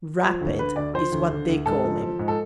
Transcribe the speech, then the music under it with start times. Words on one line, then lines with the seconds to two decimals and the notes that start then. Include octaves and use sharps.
"Rapid" is what they call him.
0.23 F3
0.41 D2
0.59 D3 B4
0.76 D2 D5
0.94 F3 C5
1.12 D2
1.30 D3
1.49 D2
1.66 G#2 A4
1.84 F3
2.02 F3
2.19 G#2
2.28 A4